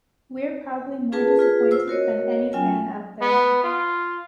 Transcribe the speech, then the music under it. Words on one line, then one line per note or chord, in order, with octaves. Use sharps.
We're probably more disappointed than any fan out there.
C#4 F4 G#4 A#4 B4 A5
F4 G#4 B4
F4 C5 E6
F#4 A#4 C#5 D#5
F#3 C#4 F4 G5 G#5
B3
F4